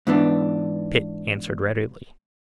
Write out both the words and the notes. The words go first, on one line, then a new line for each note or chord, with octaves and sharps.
Pitt answered readily.
G#2 E3 B3 D4